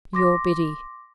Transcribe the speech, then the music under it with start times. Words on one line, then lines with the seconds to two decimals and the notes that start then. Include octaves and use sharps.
Your BIDDY.'
0.13 C6 D6 A#6